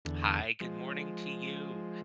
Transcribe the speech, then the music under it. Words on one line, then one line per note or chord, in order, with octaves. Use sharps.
Hi, good morning to you.
E2 D3
F3 G#3